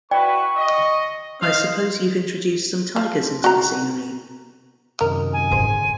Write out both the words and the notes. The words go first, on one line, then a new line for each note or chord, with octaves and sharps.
I suppose you've introduced some tigers into the scenery?
E4 F#4 B4 D5 G5 C#6
D#5
C5 D#5 F5
F3
F#4 A#5
F#2 C3 D#3 A#4
G#5
G#2 D3 G#4 C5